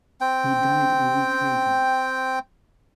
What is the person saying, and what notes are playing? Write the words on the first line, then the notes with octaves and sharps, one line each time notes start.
He died a week later.
C4 G5